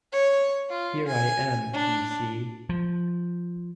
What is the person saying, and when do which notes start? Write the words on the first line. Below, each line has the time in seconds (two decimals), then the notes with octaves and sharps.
Here I am, you see!
0.12 C#5
0.70 F4
1.08 G#5
1.74 D4
2.69 F3